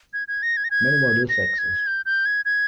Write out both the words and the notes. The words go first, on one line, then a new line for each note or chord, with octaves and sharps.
Many models exist.
G#6
G#6
A#6
G#6
A#6
G#6
A#6
G#6
G6
G6
G#6
G#6